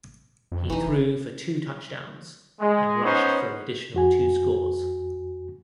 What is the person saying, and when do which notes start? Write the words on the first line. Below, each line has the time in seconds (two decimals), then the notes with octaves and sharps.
He threw for two touchdowns and rushed for an additional two scores.
0.52 F2
0.70 F1 E3 D#4
2.60 G#3
3.04 B3 C#4 D#4 C5 C#5
3.94 F2 F#4 G#5